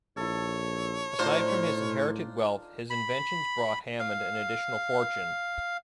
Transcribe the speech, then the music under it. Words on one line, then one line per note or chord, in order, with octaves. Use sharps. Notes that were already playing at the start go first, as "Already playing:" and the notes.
Aside from his inherited wealth, his inventions brought Hammond an additional fortune.
A#1 E4 A4 C#5
A2 D4 D#4 F4 C5
B5
F5